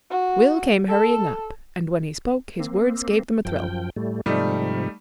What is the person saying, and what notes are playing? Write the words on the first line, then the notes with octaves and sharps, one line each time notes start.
Will came hurrying up, and when he spoke his words gave them a thrill.
F#4
A4
A#3 C4
F#2 F3 G5
A2 G3 A3
G#2 C3 F3 G3 A3 D#4